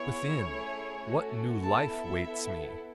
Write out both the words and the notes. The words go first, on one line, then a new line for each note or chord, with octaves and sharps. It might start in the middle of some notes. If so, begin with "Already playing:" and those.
Within, what new life waits me!
Already playing: B3 E4 G#4 C#5
A3 C#4 E4 G#4
A3 C#4 F#4 A4
B3 E4 A4 A5
E5
B3 E4 A4